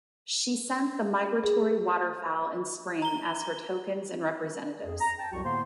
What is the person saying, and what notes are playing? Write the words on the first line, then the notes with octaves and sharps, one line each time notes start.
She sent the migratory waterfowl in spring as her tokens and representatives.
G#4
A#5 G7
F2 G#4
A#5
G5 A5
C2 F2 F#3 F#4 G4 C#6
A2 D3 A#3 B3 C5 C6